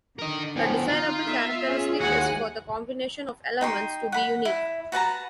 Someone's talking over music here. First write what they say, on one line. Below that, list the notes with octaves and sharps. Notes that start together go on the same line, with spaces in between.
A desirable characteristic is for the combination of elements to be unique.
D3 A#4 D#5
E2 A2 E3 F3
D#4 F4
B3 E5
C#4 G#4
D#2 E3 G#3 F#4 F#5 G#5
D#4 G5 C6
F#5 B5
E4
F#4 B4 A5 A#5